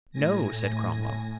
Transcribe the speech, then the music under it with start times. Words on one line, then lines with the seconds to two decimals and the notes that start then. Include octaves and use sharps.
"No," said Cromwell.
0.11 A2 G#5 A#6